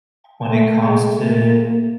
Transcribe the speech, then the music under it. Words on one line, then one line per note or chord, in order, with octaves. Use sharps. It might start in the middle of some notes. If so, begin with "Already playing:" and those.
when it comes to
A3
G#3
A3
A#3